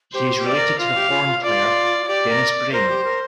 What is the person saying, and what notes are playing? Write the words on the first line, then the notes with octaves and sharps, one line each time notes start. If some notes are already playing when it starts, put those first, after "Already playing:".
He is related to the horn player Dennis Brain.
G4 C5
G4
D5
A#4
F4 F5
G4
F4
F4
F4 D5
G4 D5
A#4
A#4 C5
G4
A#4